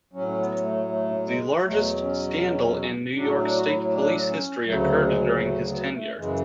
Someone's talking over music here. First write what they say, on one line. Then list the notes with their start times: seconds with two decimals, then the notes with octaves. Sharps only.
The largest scandal in New York State Police history occurred during his tenure.
0.13 A2 F#3 C#4
0.28 C#4
0.39 B3
0.63 A3
0.89 A3
1.26 G#3
1.65 E2 B2 F#3 A3
2.03 C#4
3.15 A2 F#3 D4
3.41 D4
3.56 F#4
3.66 E4
3.91 D4
4.29 C#4
4.66 D2 C#3 F#3 A3
5.04 G#3
5.42 A3
5.68 B3
5.92 A3
6.17 F#2 C#3 E3 G#3